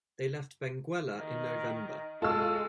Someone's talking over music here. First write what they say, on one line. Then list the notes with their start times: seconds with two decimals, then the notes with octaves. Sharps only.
They left Benguela in November.
1.15 D#3
2.22 G#3 F4 A4 E6